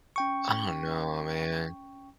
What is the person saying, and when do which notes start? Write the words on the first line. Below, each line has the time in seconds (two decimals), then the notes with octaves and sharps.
I don't know, man.
0.16 C#4 G5 C#6